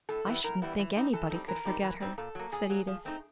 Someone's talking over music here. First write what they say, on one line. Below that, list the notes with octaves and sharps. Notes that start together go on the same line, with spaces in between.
"I shouldn't think anybody could forget her," said Edith.
A2 A4
E3 G3 B3 E4
A2 A#4
E3 G3 B3 E4
E3
G3 C4 D#4
E3 A4
G3 C4 D#4
E3 A#4
G3 C4 D#4
E3
G3 C4 D#4
A#2 A4
F#3 A#3
A#2 G#4
F#3 A#3
F3
A3 C4 D#4